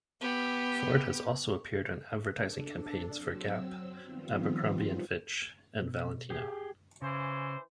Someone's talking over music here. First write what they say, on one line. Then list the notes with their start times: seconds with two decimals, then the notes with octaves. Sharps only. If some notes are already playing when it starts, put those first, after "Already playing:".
Ford has also appeared in advertising campaigns for Gap, Abercrombie and Fitch, and Valentino.
0.21 B3 G4
2.34 D4 A4
3.16 F#3 C4 E6
4.03 D#3 F3 G3 B3 C4 F4
5.82 B2
6.30 G4 G#4 G5
7.02 C#3 E3 C#4 C5